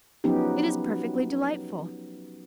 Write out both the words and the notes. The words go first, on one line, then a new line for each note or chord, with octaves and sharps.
It is perfectly delightful.
F3 F#3 B3 C#4 D#4 G4